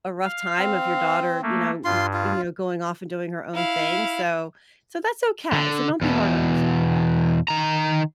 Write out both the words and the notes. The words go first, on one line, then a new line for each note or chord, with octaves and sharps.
a rough time of your daughter, you know, g you now, going off, and doing her own thing, so so, that's okay, so don't be hard on yourself about that.
F5
C4
A3 A#3
G2 F4 C6
F4
E4 F5
D3
E2 B2
D#3 A#5